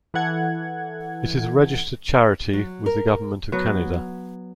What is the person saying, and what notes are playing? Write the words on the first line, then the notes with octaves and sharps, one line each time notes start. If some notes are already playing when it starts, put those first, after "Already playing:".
It is a registered charity with the Government of Canada.
E3 A4 F#5 G#6
F#3
A#4
F#3 B3